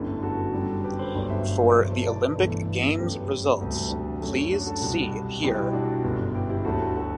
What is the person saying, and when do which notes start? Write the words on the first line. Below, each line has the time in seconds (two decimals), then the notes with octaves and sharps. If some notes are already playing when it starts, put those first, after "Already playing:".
For the Olympic Games results, please see here.
Already playing: G1 F#2 D3 A3 E4 G4
0.23 F#4 A4
0.53 F#2 D3 G3
0.84 G4 B4
0.99 A4 C5
1.15 G1 G2 F#3 A3 B4 D5
1.30 C5 E5
1.76 E2 B2 F#3 B4 D5
1.91 A4 C5
2.06 B4 D5
2.37 G1 G2 E3 A3
2.98 G1 F#2 F#3 A3 G4 B4
3.59 E1 D2 C3 G3 F#4 A4
3.74 F#4 A4
3.90 D4
4.20 F#2 F#3 A3
4.51 D4 F#4
4.66 F#4 A4
4.81 C2 B2 G3
5.42 B1 B2 G3 E4 G4
5.59 E4
5.73 D4 F#4
6.04 G1 F#2 D3
6.35 E4 G4
6.49 E4 G4
6.65 D2 D3 F#3 A3 F#4 A4
6.95 F#4 A4